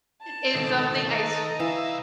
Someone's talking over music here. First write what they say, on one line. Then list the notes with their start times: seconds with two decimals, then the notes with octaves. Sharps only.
is something I s
0.22 A5
0.54 C#2 B2 D#3 A4
1.09 B4 D#5 A#5
1.60 C2 E3 E5 F5